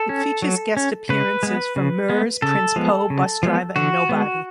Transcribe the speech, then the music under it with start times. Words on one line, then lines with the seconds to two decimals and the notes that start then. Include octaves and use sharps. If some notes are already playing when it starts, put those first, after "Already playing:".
It features guest appearances from Murs, Prince Po, Busdriver and Nobody.
Already playing: A4
0.09 C#4
0.42 F#3
0.77 C#4
1.09 C#3 B4
1.43 G#3 B3
1.76 C#3
2.10 G#3 B3
2.42 C#3 A4
2.76 F3 G#3 B3
3.10 C#3
3.43 F3 G#3 B3
3.76 D3 F#4
4.09 G#3 B3